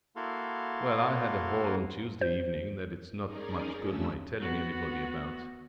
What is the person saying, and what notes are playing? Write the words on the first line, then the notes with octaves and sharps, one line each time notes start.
"Well, I had a haul on Tuesday evening that it's not much good my telling anybody about."
A#3 E4 F#4 A4 F5 C6
C5
C#4 D#4 G#4 A#4 D5
F2 F3 A3 C#4 D4 E6
B3 F#4